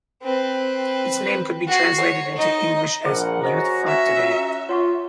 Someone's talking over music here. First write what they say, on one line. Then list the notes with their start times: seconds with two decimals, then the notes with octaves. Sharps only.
Its name could be translated into English as "Youth Front Today".
0.23 C4 B4
1.68 F#4 C7
2.01 C#5
2.37 D#4 D#5
3.06 A#1 G#4 A#4 C5 F#5
3.43 C#4 F#4 A4 C5 D#5 A#5
3.87 E5
4.18 F4 C#5
4.69 F4 C#5 F#5 C#6